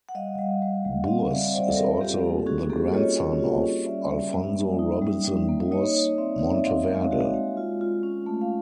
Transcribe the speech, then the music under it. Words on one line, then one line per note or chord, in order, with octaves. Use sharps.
Bours is also the grandson of Alfonso Robinson Bours Monteverde.
F#5
G3 D#5 F5
G3
G3
G3
C4 D#5 F5
G3 D5 E5
D#5
G3 C5 D5
A4
C4 G#4 A#4
F4 G4 A4
A#3 G4
A4
C#4 F#4 G#4
A#3 G4 A4
F4 C#5 D#5
A#3
F4
C#4
G3 D5 E5
G3
G3
A#3
D#4
G3
G3
A#3
D#4 C#5 D#5
D#4
C4 D5 E5
C4
E5
C4 D#5 F5
G#3
F#4
G#3
F4
F4
C#4
A3
F5